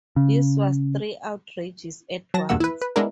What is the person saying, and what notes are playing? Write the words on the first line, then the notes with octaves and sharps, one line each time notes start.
This was three 'outrages' at once.
C#3
F#3 A5 A#6
E2 G2 B2 A#3 F#5 E6
E4 B4
B4
G#3 B3 D4 E4 A#4